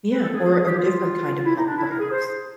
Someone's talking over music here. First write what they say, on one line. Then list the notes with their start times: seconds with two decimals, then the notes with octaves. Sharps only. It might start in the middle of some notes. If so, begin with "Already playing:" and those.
Yeah. Or or different kind of help perhaps.
0.12 B4
0.22 A4
0.34 G#4
0.45 G#4
0.56 G#4
0.67 G4
0.78 F4
1.45 E4
1.55 D#4
1.67 D4
1.77 E4
1.89 A#4
2.00 G#4
2.11 C5